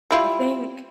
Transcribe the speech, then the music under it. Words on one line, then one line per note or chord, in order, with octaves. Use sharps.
I think
G3 E4 F4